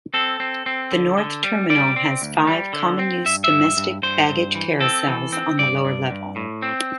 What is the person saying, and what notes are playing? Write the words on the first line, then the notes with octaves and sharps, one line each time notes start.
The North Terminal has five common-use domestic baggage carousels on the lower level.
C4 A4
C4
C4
D3
D3
G3
G3 D5
C4
D2
G3
D3
C4
G2 E5
E5
G2
G2
G2 C5
G2
E3
C4 A4
E3
C4
G2 D5
G2
G2
A2
C4